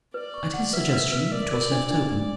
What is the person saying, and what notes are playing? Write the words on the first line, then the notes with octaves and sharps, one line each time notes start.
At his suggestion it was left open.
B4 D5
C#6
F#5
B4 E5
B4
B4
A#4 D5
A#4
D4
D4 D5
D4